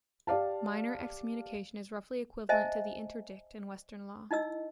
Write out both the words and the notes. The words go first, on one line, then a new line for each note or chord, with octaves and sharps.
Minor excommunication is roughly equivalent to the interdict in Western law.
G4 D5 F5 A5
C5 D#5 E5 G#5 A5
D#4 E4 D#5 E6